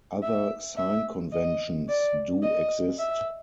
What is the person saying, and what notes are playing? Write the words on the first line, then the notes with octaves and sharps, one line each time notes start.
Other sign conventions do exist.
E5
E5
D#5
D5
D#5
E5